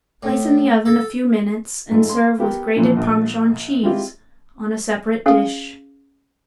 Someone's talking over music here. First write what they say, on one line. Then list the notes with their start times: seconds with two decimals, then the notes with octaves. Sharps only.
Place in the oven a few minutes and serve with grated Parmesan cheese on a separate dish.
0.23 A2
0.85 A4
1.91 G#2 A3 F4
2.09 C6
2.39 B3 G4 A#4
2.76 A#2 E3 F3
2.96 A#1
3.83 G#3 C4 E4 F4 G4
5.26 C#4 G#4 F5